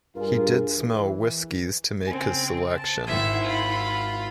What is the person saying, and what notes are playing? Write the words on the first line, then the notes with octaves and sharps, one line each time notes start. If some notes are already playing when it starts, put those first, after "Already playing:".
He did smell whiskies to make his selection.
G2 F4 G#4 A#4
E3
C#3 C4 G#5
A5
G#1 E4 E5 F#5 C6 G#6
F4 B5